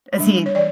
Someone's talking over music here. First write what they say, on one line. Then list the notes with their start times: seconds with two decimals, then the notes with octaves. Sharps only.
Is he
0.18 G3 D4
0.46 C#5
0.55 E3 D5